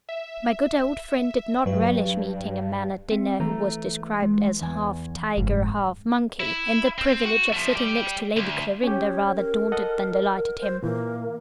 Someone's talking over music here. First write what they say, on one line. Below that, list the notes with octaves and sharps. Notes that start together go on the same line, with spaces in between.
My good old friend did not relish meeting a man at dinner who was described as "half tiger, half monkey;" and the privilege of sitting next to Lady Clarinda rather daunted than delighted him.
E5
G2 F#3 B4
C4 E5
E3 A3 A#5
G#3
E2 G#5
F#1 F2 G#2
E4
C4
F#4
F3 A3
G4 D5
D2
C#4 G4 C#5
A#4
A4 D#5 F#5
C5
A#2 E3 A#3